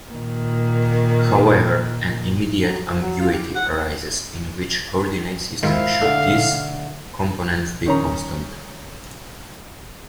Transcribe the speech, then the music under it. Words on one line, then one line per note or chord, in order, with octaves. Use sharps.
However, an immediate ambiguity arises: in "which" coordinate system should these components be constant?
A#2 D#3 A#3
F#3
F3
F#3
F4
G4
F#5
G#2 D#3 E4 F4 C5 F5
D3 A3
D#3 C#4 A#5